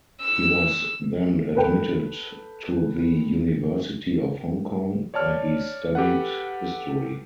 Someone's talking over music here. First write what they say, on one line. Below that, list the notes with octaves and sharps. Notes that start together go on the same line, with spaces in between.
He was then admitted to The University of Hong Kong, where he studied history.
E6
A4 B4 G5
C#5 D5 A5 F6
G4 A4 B4 F#5